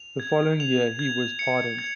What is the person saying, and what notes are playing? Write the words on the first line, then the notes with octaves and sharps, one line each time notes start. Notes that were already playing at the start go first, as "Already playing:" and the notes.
The following year, he was pardoned.
Already playing: F7
G#6
F7
G#6
C#7
G#6